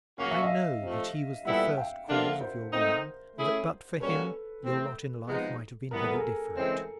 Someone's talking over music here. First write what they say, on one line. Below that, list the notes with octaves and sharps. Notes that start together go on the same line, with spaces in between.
I know that he was the first cause of your ruin; and that, but for him, your lot in life might have been very different.
C#3 F#3 A#3 C#4 F#4 F5
E5
D#5 F5
C3 F3 A3
A#2 G3 B3 E4 A4 E5 F#5
F5 G5
D3 F3 A#3 D4 F4 E5 F#5
A#4 C5
A3 C4 D#4 A#4 C5
A3 C#4 E4 G#4
G3 A#3 C#4 F#4 A4 B4
E3 A3 C4
C3 F3 G#3 B3 D#4
E3 G3 B3 A#4
A4
G#4 A#4
C#3 E3 G#3 C4